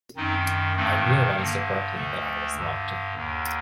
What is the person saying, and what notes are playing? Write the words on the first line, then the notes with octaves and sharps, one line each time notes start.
I realised abruptly that I was locked in.
F#2 D#3 C4 D#4
G2 D#3 A3 C4
G2 D3 A#3
D2 D3 A3
G2 D3
D#2 D3